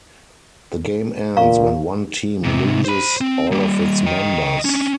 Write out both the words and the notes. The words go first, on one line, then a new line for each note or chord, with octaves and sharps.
The game ends when one team loses all of its members.
A#2 F5 A#5 C#6
G#2 C3
C5 B5
C4
G3 A#3
D#5 G5
C#4 D4